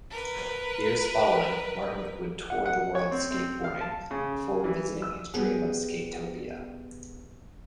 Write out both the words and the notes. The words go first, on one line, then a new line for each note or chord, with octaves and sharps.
Years following, Martin would tour the world skateboarding before revisiting his dream of Skatopia.
A#4 B4
F#5
F#5
C#5
C4
C4
F5
A5
C#3
E3
E6
G3 B3 G#4